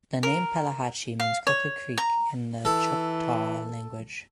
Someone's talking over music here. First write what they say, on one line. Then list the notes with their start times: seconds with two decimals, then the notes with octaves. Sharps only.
The name Pelahatchie means "Crooked Creek" in the Choctaw language.
0.23 A#4
1.20 F5
1.47 C#5
1.98 A#5
2.65 E3 A4